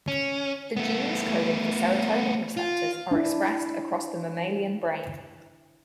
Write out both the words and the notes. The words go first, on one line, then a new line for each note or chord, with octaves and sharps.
The genes coding for serotonin receptors are expressed across the mammalian brain.
C#4
A3 B3
F4
D4 E4